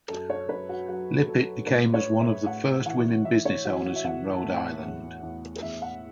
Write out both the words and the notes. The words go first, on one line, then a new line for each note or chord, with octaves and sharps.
Lippitt became as one of the first women business owners in Rhode Island.
F#2 A4
C#5
F#2 B4
F#4
F#3 F#4
F#3 A4
A2 B4
C#5
A2
E5
A2 F#5
E3 F#5
E3 E5
C#5
E3 F#4
F#4
E5
E3 F#5
A5
A2
F#5
E2
E2
E2 E5
F#5